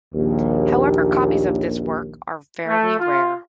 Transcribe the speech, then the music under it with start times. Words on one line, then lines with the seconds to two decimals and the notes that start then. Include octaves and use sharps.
However copies of this work are fairly rare.
0.15 A#1 D#2
2.68 A3
3.00 F4